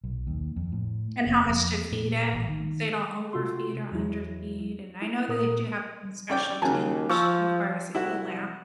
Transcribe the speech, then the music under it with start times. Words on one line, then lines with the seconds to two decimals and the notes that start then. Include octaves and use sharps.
And how much to feed it, so you don't overfeed or underfeed, and I know they do have their own special tank, which requires a heat lamp.
0.04 B1
0.27 D#2
0.56 F2
0.72 A2
1.27 F1
1.49 F2
1.92 A#2
2.33 A1
2.49 D#3
3.33 C3 F4 F#4 C6
3.92 E2 F#3 E4
5.02 E4
5.28 A#2 A#4 D#6
6.30 C#4 D5 G5
6.62 D#2 C#3 F#3 G#5 A5
7.10 F3 C#6 E6
7.95 C2 E4 F#4